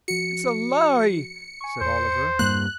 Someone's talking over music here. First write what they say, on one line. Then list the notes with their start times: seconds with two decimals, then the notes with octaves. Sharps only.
'It's a lie!' said Oliver.
0.08 F3 F#4 C#7
1.61 G#5 C#6
1.81 E2 C5
2.39 G2 G3 A#3 F#6